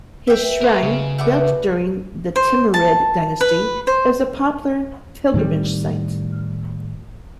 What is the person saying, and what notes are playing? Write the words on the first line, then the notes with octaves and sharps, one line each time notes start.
His shrine, built during the Timurid Dynasty, is a popular pilgrimage site.
B2 E5 G5
A#4 C5
C#3 G#3
A3 B3 D4 F#4 B4 D6
C5
A5
B4
C5
A2 D#3 G3 C4